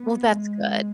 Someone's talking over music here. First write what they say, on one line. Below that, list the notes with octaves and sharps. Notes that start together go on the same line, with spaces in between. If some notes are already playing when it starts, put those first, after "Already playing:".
Well, that's good.
Already playing: B3
G#3